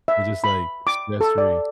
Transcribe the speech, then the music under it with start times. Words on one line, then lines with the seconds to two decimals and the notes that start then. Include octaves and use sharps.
You're just, like, stress free.
0.08 E5
0.44 B5
0.87 D6
1.21 A4
1.38 D5